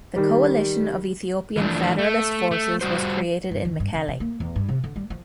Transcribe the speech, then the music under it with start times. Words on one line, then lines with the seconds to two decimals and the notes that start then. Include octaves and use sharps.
The Coalition of Ethiopian Federalist Forces was created in Mekelle.
0.16 D#3 G3
1.57 E3 F3 A3 D4
1.99 A3
2.51 A3
2.81 G3 F#4 C5
3.51 G2
3.65 D#2
3.80 G2
3.94 C#3
4.08 C3
4.20 A#3
4.40 E2
4.56 G2
4.69 C3
4.84 D3
4.96 G3
5.10 F3